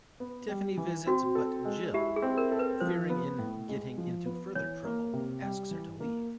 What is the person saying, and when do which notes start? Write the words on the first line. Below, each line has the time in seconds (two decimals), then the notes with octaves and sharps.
Tiffany visits but Jill, fearing in getting into further trouble, asks her to leave.
0.20 B3
0.49 G3
0.77 E3
1.07 C4 F#4
1.35 A4
1.65 G#3
1.94 E4 G4
2.16 G#4
2.22 C4
2.37 A#4
2.52 A4
2.59 B4
2.80 F3 C5
3.09 B3
3.39 A2
3.69 G#3
3.98 F3
4.26 B3
4.55 E3 C#5
4.85 A#3
5.13 C3
5.42 G3
5.71 E3
6.00 A#3